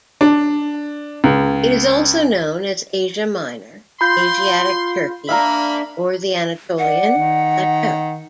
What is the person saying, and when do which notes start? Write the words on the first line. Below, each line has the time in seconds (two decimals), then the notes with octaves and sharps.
It is also known as Asia Minor, Asiatic Turkey or the Anatolian Plateau.
0.21 D4
1.24 C#2
4.01 F4 B5 C6 G6
5.29 A#3 D4 E5 F5 A#5 B5
6.79 D5 F#5
7.17 D#3